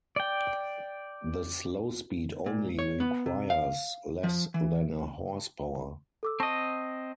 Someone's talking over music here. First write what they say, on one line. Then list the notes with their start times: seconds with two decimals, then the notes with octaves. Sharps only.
The slow speed only requires less than a horsepower.
0.16 D5 G5
2.46 A#2
2.79 C#5
3.00 B3
3.26 C3
3.50 F5
4.24 F3
4.54 E3
6.23 A4 D6 E6
6.40 C4 D#5 A5 C#6 A#6